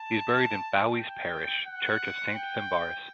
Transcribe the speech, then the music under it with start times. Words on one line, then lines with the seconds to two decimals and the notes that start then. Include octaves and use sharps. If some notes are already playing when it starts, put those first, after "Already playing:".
He is buried in Fowey's parish church of Saint Fimbarrus.
Already playing: A5
0.98 G5
1.66 F#5
2.35 G5